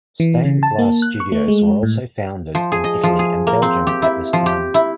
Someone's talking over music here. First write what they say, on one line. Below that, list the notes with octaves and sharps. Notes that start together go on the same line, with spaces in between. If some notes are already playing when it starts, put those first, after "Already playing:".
Stained glass studios were also founded in Italy and Belgium at this time.
E3
C#3
A5
A#3
F#6
C#6
A3
G#3
A2
F3
G#4
D#5
F3
G#4
A#3
C4
G4
E4
F3
G4
E4